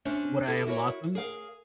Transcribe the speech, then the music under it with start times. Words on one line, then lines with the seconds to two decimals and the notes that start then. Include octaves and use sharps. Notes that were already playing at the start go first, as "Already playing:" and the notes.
Would I have lost them?
0.05 C#4 D4 C5 E5
0.47 E4 G4 A4
0.67 E4 F#4 A#4 C#5
1.15 G#4 A#4 F5